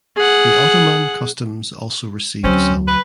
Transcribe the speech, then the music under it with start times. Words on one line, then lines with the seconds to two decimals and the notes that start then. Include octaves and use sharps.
The Ottoman customs also received some.
0.17 G#4 F#5
2.44 D2 F#3 C4 C#4
2.88 B4